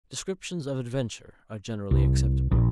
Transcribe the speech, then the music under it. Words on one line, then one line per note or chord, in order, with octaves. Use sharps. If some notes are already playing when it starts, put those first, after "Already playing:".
Descriptions of adventure are generally acceptable.
C2
A#1